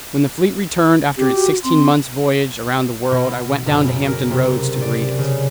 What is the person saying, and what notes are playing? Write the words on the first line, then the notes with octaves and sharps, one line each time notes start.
When the fleet returned after its sixteen months' voyage around the world I went down to Hampton Roads to greet it.
C4 G4
F#4
C4 C6
B2
F#1
A#4
C3
D5
C#3